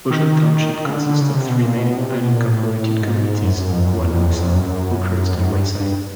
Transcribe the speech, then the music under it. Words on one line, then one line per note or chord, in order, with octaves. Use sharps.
Ocean Township consists of three main unincorporated communities: Wanamassa, Oakhurst and Wayside.
D#3
C#3
D3
D3
C#3
C3
B2
A#2
B2
C3
B2
A#2
A2
G#2
F#2
F#2
F2
F#2
E2
F2
E2
F2
F#2
F2
F#2
G2
G2